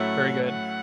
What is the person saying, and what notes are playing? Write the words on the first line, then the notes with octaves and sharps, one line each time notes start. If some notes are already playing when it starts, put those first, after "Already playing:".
"Very good!"
Already playing: A2 F#3 A3 C#4 E4 F#5
F#5